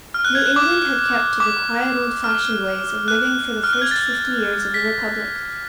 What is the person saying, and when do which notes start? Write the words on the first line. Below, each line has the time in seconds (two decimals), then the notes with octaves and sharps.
New England had kept to the quiet old-fashioned ways of living for the first fifty years of the Republic.
0.14 F6
0.25 F#6
0.35 G#6
0.46 F#6
0.56 D6
1.40 D6
2.24 F6
3.08 F#6
3.64 F6
3.73 F#6
3.82 G#6
3.91 A6
4.74 B6